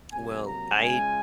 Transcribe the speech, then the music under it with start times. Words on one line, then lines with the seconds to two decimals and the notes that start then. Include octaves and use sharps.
Well, I
0.11 C3 F#3 A#3 G#5
0.43 A#5
0.73 C#3 G#3 C#4 F4 G#5